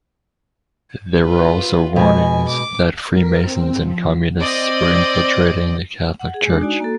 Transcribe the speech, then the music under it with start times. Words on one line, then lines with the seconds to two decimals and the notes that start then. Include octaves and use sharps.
There were also warnings that Freemasons and Communists were infiltrating the Catholic Church.
1.19 F4 B4
1.96 B2 G#3 G#5
2.48 D6
3.07 A#4
3.38 C4
3.75 F3
4.39 C4 D5 D#5
6.19 F#5
6.34 G#4
6.46 G#3 D4
6.60 D#4 F#4 D5 G#5
6.80 A#3 F#4 A4